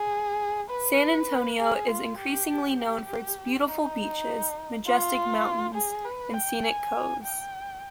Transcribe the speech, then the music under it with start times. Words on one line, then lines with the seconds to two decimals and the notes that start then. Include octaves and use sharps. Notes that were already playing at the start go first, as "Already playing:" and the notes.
San Antonio is increasingly known for its beautiful beaches, majestic mountains and scenic coves.
Already playing: G#4
0.70 B4
1.59 G#4
1.88 F4
2.18 G4
2.78 G4
3.67 D#4
4.86 F4
5.75 G#4
6.05 B4
6.34 G5
6.63 G#5
7.23 G5